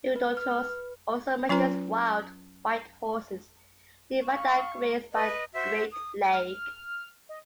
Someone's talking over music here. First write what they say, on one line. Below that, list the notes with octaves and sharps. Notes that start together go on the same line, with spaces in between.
Herodotus also mentions wild white horses nearby that grazed by a great lake.
B4
F6
B4
F#3 C#4 F4 B4 A#5
F5 C#6
B4 D#5
F#4 C5 E5
D#6
F6
D#5